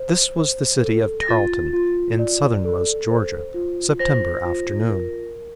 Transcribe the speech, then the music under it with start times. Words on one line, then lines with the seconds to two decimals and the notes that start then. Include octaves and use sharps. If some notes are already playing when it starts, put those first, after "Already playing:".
This was the city of Tarleton in southernmost Georgia, September afternoon.
Already playing: C5
0.39 C5
0.83 A4
1.21 A#6
1.28 F4 A6
1.73 F4
2.19 D5
2.65 A4
3.10 C5
3.54 F4
3.99 C5 A#6
4.45 F4
4.89 A#4
5.35 A#4